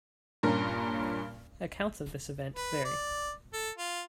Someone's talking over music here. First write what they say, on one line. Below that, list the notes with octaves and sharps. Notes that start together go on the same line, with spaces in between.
Accounts of this event vary.
G2 A#2 C#4 A#4
B4
D5
A4
F4